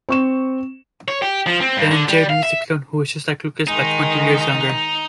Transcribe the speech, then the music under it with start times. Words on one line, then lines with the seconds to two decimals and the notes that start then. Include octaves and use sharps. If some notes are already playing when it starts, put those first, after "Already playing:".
Then Jade meets the clone, who is just like Lucas, but twenty years younger.
0.09 C4 C#6 E7
1.08 C#5
1.22 G4
1.47 F3
1.60 C4
1.77 G2
1.91 D3
2.08 G3
2.29 F5
2.43 E5
3.68 D#3 G#3 D#4